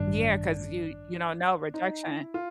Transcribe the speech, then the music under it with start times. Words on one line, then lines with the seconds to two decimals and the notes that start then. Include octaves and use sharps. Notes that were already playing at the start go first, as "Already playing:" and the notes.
Yeah, 'cause you you don't know, rejection.
Already playing: A1 G2 D#3 G3 D4
1.74 D#4
2.04 E4
2.34 F4